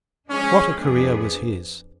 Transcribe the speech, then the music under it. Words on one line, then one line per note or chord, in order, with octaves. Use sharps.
What a career was his!
F3 G#3 C#4 D4 G#4
F2 F3 B3 D4 G#4